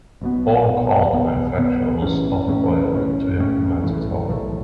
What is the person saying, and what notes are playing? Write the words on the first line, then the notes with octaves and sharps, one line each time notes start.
All card manufacturers are required to implement it however.
B1 B2 B3
B1 B2 B3
B1 B2 B3
B1 B2 B3
B1 A2 E3 C#4
B1 A2 E3 C#4
B1 A2 E3 C#4
B1 A2 E3 C#4
B1 A2 E3 A3
B1 A2 E3 A3